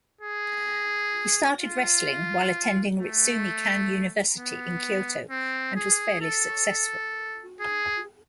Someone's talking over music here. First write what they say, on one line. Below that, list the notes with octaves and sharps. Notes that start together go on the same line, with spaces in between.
He started wrestling while attending Ritsumeikan University in Kyoto and was fairly successful.
G#4
F4
A3
B3
C4
G#4
A4
G#4